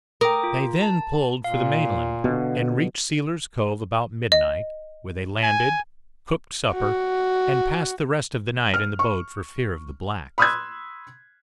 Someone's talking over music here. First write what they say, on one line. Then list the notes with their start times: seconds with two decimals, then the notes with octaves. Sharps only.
They then pulled for the mainland, and reached Sealer's Cove about midnight, where they landed, cooked supper, and passed the rest of the night in the boat for fear of the blacks.
0.21 A#4 G5 D6 D#6
0.44 F4
0.82 A5
1.44 A#2 F5
2.24 B2 D3
4.32 D#5
5.43 G#5
6.73 F#4
8.74 F6
8.99 C#6
10.38 B5 C6 D#6 E6 F#6 G#6